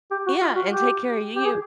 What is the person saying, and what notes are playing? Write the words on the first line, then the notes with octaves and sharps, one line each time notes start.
Yeah, and take care of you.
G4
F#4
F4
F#4
G4
G4
G#4